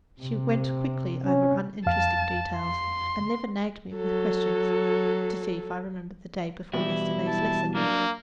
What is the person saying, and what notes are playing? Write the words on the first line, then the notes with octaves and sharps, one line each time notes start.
She went quickly over uninteresting details, and never nagged me with questions to see if I remembered the day-before-yesterday's lesson.
C3
C#4
F2 F5 A5
C6
F#3 A4
B2 E3 G3 E4
A5
F#3 A#3 D4